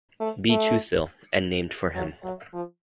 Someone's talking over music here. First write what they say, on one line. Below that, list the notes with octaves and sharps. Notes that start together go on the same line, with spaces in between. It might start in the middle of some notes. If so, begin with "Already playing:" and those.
B. Tuthill, and named for him.
A3
A3
F#3
F#3
F3